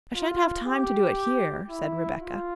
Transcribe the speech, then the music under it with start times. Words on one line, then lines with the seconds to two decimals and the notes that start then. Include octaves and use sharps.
"I shan't have time to do it here," said Rebecca.
0.14 F4
0.67 G4
1.70 E4
2.21 F4